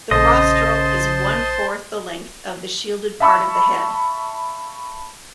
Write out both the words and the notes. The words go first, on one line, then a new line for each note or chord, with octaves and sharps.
The rostral is one-fourth the length of the shielded part of the head.
A#1 C#3 C5 D#5 A5 C6
E5 F5 A5 B5 C#6 E6